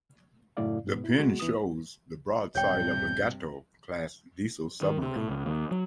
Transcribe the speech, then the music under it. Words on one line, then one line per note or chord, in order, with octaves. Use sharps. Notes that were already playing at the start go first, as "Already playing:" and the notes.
The pin shows the broadside of a "Gato"-class diesel submarine.
F#2 A2 C#3 E4 D5 F5
G#2 B2 B3
E4
C#2 G#3 F#4
D#2 E3 B3 D#6
D#1 G2 C3 C#5 G5 G6
D#3
C3
A2
C#2
D#2
F#3